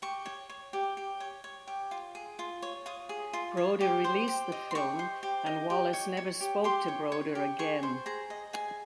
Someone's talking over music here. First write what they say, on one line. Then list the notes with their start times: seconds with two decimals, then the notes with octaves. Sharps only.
Broder released the film and Wallis never spoke to Broder again.
0.02 G4 C#6
0.25 C#5
0.50 C#5
0.73 G4
0.97 G4
1.20 C#5
1.44 C#5
1.67 G4
1.91 F4
2.15 G#4
2.39 F4
2.62 C#5
2.86 F4 D#6
3.09 G#4
3.33 F4
3.57 C#5
3.81 G4
4.04 C5
4.28 G4
4.52 D#5
4.71 C6
4.75 G4 C#6
4.99 C5
5.23 G4
5.46 D#5
5.70 G4
5.93 C#5
6.17 C#5
6.41 G4
6.64 G4 C6
6.88 C#5
7.12 C#5
7.35 G4
7.59 G#4 C#6
7.83 C5
8.06 G#4 A#5
8.30 D#5
8.53 G#4 G#5